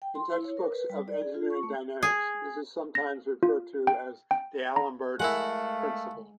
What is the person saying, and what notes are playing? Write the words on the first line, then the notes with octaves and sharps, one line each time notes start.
In textbooks of engineering dynamics this is sometimes referred to as "d'Alembert's principle".
G5
C6
E4
C#5
A#4
B4
G3
D5
G#4
F4
C#6
A3
G#4
A#6
F4
G5
G5
A#5
G#3 A3 E4 A#4 F5 F#5